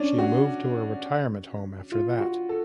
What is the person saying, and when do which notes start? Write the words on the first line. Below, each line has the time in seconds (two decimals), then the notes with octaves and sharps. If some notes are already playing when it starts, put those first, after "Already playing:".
She moved to a retirement home after that.
Already playing: C#4 D4
0.18 F#4
1.92 F4
2.20 F#4
2.49 A4